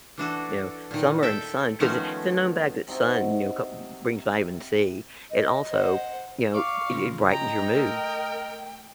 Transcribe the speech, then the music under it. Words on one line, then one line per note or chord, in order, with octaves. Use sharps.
You know? Summer and sun, 'cause i it's a known fact that sun, you know, ca brings Vitamin C. And, also, you know, it it brightens your mood.
E3 D4 F#4 A4
A#2 D#3
A4 E5 G5
D#3 F3 A3 B3 C#4 F#4
C3 D#4 E4 F#4
D#5
C5 F#5
D5 F5 C#6
C#3 F3
D#5 G5 A#5
A3 A#4